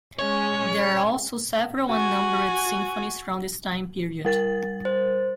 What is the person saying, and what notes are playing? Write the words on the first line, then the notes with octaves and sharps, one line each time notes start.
There are also several "unnumbered" symphonies from this time period.
G#3 C#4 C#5
F#4 G#5
G3 A#4 A6
C5